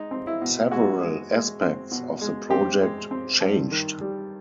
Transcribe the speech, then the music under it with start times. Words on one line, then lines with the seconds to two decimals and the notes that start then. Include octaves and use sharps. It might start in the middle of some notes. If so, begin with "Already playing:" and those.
Several aspects of the project changed.
Already playing: G#3 D#4
0.11 C4
0.27 E4
0.41 B2
0.71 G#3 F#4
1.01 G#3
1.31 G#3
1.61 C4
1.91 B2
2.21 G#3
2.50 C4 G4
2.81 G#3
3.11 C4
3.41 G2
3.71 D#3
4.01 G3